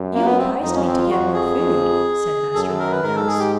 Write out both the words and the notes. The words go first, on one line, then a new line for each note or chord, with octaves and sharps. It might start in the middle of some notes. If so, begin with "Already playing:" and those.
"You advised me to get more food," said Master Meadow Mouse.
Already playing: F#2
A#3
B3
C4
F2 D#4
C#4
C4
F4
F2 F#4
G#4
F2
F#2 A4
A4
A#4
B4
G#2 A#4
A4
G#4
G4